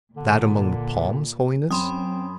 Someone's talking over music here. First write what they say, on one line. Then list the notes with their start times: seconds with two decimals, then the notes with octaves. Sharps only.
"That among the palms, Holiness?"
0.17 A#2 D3
1.71 F#2 C4 B5 C6 D#6